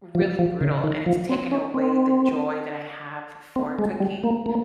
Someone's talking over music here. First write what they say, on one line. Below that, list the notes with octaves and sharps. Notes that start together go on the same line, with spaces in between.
really brutal, and it's taken away the joy that I have f for cooking,
F3
F3
C#3
D#3
F3
C4
C#4
C4
C4
G#3
G3
A#3
A#3